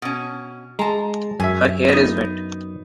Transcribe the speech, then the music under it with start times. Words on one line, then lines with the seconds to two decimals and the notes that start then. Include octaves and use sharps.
Her hair is wet.
0.02 B2 C#4
0.79 G#3 A5 A#5
1.40 F#2 E5 G#5
1.89 B3 D#4